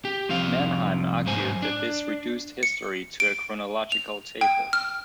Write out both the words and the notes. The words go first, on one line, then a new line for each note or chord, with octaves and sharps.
Mannheim argued that this reduced history to "a chronological table".
G4
C2 F3 C4 F5
G#2 F#3 C5 G#5
D4
C#7
D7
F7
G5
F6